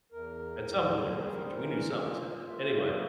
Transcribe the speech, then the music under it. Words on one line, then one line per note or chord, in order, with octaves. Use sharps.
at some point in the future- we knew something has happened. Anyway,
E2 A#4
E2
G3 C5
A#4
G#4
A#4
C5
E3 A#4
F4
A#3 E5